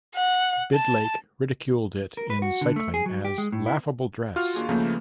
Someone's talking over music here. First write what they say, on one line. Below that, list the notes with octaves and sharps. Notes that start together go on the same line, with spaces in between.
Bidlake ridiculed it in Cycling as Laughable Dress.
F#5
A5
A#4
B4
F#4
D3
A3
G#4
F#3
G4
G#3
A2
E4
F4 F#4 F6
D#2 D4 G#4
C#3 F3 A3 A#3 B4 G6